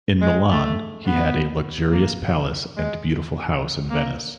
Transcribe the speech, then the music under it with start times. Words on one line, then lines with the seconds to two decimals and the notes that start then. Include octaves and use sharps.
In Milan, he had a luxurious palace and beautiful house in Venice.
0.21 G#3
0.50 A3
1.06 B3
1.91 A#3
2.77 G#3
3.90 A#3